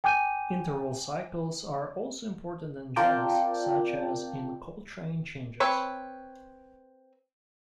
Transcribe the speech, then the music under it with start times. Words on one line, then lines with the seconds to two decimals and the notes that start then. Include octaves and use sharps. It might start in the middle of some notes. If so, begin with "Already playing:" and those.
Interval cycles are also important in jazz, such as in Coltrane changes.
0.04 G5 G#5 D6 G6 D#7
2.96 C4 F4 A#4 D5 G5 A5
5.60 C4 B4 C#5